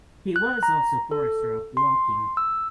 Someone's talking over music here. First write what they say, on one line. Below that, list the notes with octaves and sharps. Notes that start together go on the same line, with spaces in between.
He was also Forester of Woking.
F#6
A#5
A4
C6
E6